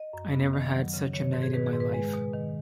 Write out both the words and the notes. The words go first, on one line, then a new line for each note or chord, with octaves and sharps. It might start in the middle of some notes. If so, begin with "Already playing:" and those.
I never had such a night in my life!
Already playing: D#5
F#2
B3
D#3
F#3
C#3
D#3 C#5
G#2
G#4
D#3 B4
G#4
G#2
B4
G#3
B2
D#3